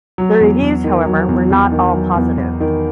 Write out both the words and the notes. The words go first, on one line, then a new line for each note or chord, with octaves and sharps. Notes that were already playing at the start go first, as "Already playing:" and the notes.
The reviews, however, were not all positive.
F#3
E2
E2
D#3
F#3
E2
E2
D#3
F#3
E2
E2
D#3